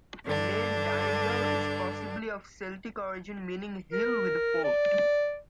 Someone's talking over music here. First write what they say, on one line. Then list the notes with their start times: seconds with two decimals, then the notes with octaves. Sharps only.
The name Dinedor is possibly of Celtic origin meaning "hill with a fort".
0.24 G2 D3 D4
3.93 A#4
4.64 D5